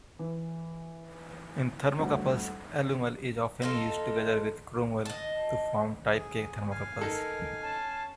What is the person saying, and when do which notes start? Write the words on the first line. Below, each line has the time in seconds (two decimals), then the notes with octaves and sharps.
In thermocouples, alumel is often used together with chromel to form type K thermocouples.
0.19 E3
1.99 D#1 D2
3.62 D#4 F4 A4
5.05 D#5 A5
6.14 G#4
6.71 F5 G#5
7.02 D#4 A4 A#4
7.62 C#4 A5